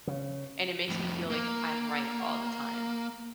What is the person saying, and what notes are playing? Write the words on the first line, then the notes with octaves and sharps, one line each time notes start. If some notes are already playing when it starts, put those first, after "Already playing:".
and it makes me feel like I'm right all the time,
C#3
F2 A2
A#3